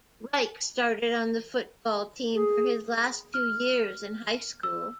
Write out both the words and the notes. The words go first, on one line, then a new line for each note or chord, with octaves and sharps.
Reich started on the football team for his last two years in high school.
G#4
F6
E6